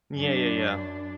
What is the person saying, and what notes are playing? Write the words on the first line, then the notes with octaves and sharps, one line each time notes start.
Yeah, yeah, yeah.
F#2 D4